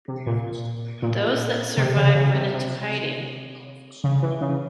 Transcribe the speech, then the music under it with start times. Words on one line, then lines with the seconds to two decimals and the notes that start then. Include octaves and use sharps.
Those that survived went into hiding.
0.08 C3
0.27 A#2
1.03 A#2
1.77 C3
1.96 C#3
2.15 C#3
2.34 C3
2.54 C3
4.04 C#3
4.22 E3
4.41 C#3